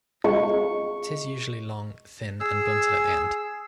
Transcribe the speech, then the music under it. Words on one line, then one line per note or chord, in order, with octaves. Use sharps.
It is usually long, thin, and blunted at the end.
C#6
G#4 E6